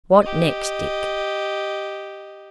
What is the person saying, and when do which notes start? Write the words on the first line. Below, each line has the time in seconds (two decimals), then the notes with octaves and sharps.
"What next, Dick?"
0.22 G4 D#5